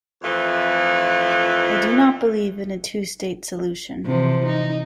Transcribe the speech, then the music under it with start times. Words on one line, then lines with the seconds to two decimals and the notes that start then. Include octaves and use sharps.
I do not believe in a two-state solution.
0.23 F2 E3 F3 A3 F4
4.05 C3 E3 F3
4.46 D#4